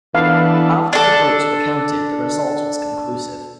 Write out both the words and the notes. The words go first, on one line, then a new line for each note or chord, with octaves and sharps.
After the votes were counted the result was conclusive.
E3 B3 D4 A4 F5
D4 A4